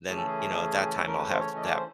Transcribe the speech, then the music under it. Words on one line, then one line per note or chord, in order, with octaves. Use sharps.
then, you know, at that time, I'll have that
C#3 E3 A3 C#4 G#4
A4
G#4
A4
A#4
B4
C5
C#5
D#5
D5
C5